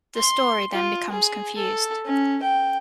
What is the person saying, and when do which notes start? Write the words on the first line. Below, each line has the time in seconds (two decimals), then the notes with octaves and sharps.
The story then becomes confused.
0.16 C6
0.73 F4
1.11 G#4
1.57 A4
2.05 C#4
2.43 G5